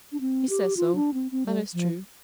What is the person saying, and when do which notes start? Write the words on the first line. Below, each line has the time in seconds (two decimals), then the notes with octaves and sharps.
"He says so, that is true."
0.12 D4
0.21 C4
0.49 G4
0.77 F4
0.95 D4
1.14 C4
1.32 C4
1.46 G3
1.74 F3